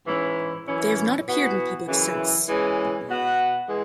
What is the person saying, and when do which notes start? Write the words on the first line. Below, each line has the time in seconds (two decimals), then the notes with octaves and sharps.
They have not appeared in public since.
0.07 G#2 E3 C#4 E4
0.67 F#2 E3 C#4 E4
1.27 E3 B3 F#4
1.87 F#2 C#3 E3
2.47 E3 G#3 C#4
3.07 B2 B3 F#4
3.67 E3 G#3